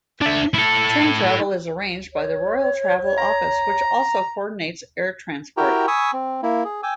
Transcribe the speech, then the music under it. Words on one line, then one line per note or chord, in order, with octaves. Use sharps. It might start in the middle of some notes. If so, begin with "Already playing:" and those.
Train travel is arranged by the Royal Travel Office, which also co-ordinates air transport.
D4 E5
E4 A4
C#5
A#5
E4 F#4 G4 A#4 G5 A#5
G#5 B5 C#6 D#6 E6
C4
A#3 E4
G#4
G5 G#5 D6 E6